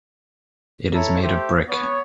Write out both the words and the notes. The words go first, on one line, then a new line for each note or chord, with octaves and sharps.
It is made of brick.
E4 A4 C#5 E5 A#5
A3 G4 C5 E5
B3 C#5